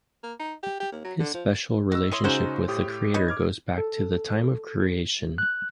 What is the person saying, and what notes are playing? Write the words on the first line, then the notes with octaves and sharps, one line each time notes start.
His special relationship with the Creator goes back to the time of creation.
A#3
D#4
G4
G4
D#2
F#3
D3
F3
B2 E6 A#6
E4 C#5 C6 D#6 D#7
C#3 G#3 C#4 D#4 F#4 C5
A2 G4 D#6
D#4 B4 C#5
D6 F6 G#6
A4
F#6